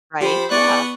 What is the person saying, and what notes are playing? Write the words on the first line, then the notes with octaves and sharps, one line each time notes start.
Right, yeah.
F3 G4 C5 B5
B3 E4 G#4 D5 C#6 F#6